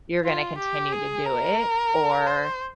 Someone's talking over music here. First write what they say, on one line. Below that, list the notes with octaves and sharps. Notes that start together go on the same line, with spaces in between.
you're gonna continue to do it, or
F4
G4
G#4
A#4
C5